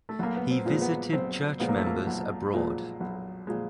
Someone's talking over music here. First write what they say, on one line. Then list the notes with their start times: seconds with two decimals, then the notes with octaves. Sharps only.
He visited Church members abroad.
0.09 A3
0.19 B1 A#3
0.37 B3
0.51 C4
0.66 A#2 F3 G#3
0.81 B3
1.13 B1 C4
1.60 A#2 F3 G#3 B3
1.69 A#3
1.78 A3
1.86 A#3
2.07 B1
2.53 A#2 F3 G#3
3.00 B1
3.47 A#2 F3 G#3